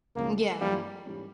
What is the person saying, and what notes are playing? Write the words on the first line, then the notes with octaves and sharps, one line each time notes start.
M yeah,
C#2 C#3 F3 A#3
G2 E3 G3 A#3 F4
G#2 E3 G3 C#4